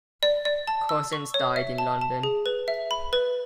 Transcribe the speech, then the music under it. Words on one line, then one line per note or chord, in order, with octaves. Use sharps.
Cozens died in London.
D5
D5
A5
E6
C#6
C#5
E5
A5
A5
G#4
B4
E5
B5
B4